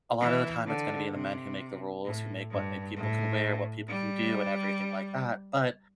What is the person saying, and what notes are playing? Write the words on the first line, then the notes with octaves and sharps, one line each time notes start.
a lot of the time it's gonna be the men who make the rules, who make what, uh, people can wear, what people can do, and everything like that. But
E3
D3
C3
A2
G2
A2
G3